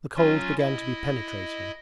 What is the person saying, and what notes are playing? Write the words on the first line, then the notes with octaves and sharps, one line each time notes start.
The cold began to be penetrating.
F#3 C#4 F4
E4 D#5